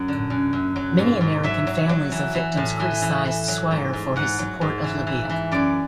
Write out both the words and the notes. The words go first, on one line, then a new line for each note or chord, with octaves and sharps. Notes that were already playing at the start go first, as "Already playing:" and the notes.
Many American families of victims criticised Swire for his support of Libya.
Already playing: F#2 F#3
D3
F#2
F#2
F#3
G#2
G#2
F#3 E5
F#3
F#3
E3
E3
A2
E3 G#5
E3
E3
F#3
G#2
G#2
G#2 F#5
F#3
G#2
E3
E3
E3
F#2 D5